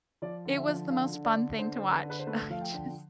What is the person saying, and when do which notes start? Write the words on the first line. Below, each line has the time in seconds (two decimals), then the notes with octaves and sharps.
it was the most fun thing to watch. I just
0.22 F3 D5
0.45 D3
0.56 E5
0.68 F3
0.90 D3 F5
1.13 D3
1.25 D5
1.36 D3
1.59 D3 C5
1.76 C5
1.81 D3
1.93 B4
2.04 D3
2.10 B4
2.20 C5
2.27 A3 B4
2.50 F3 F5
2.61 G5
2.72 D3